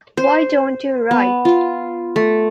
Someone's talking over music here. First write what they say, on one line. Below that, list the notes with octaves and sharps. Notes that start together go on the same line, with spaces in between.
Why don't you write?
C5
B3
F4
A3